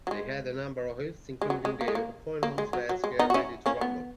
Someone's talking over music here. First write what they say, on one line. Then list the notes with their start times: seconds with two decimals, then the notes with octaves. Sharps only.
They had a number of hits including the eponymous Let's Get Ready to Rhumble.
0.07 F#3
0.11 G#3
1.42 G#3
1.50 F#3
1.65 G#3
1.81 A#3
1.88 G#3
1.95 A#3
2.43 A#3
2.58 G#3
2.73 F#3
2.89 F#3
3.04 G#3
3.19 B3 D#4
3.30 F#4
3.34 C#4 E4
3.66 A#3 C#4
3.81 B3